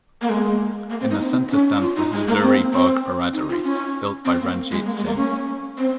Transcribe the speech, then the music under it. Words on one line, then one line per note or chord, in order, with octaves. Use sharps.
In the center stands the Hazuri Bagh Baradari, built by Ranjit Singh.
A#3
G#3
A#3
C4
D#4
C4
C#4
D#4
F4
D#4
G#3
A#3
C4
C4
D#4
F4
C#4
C4
A#3
G#3
A#3
G#3
A#3
C#4
C4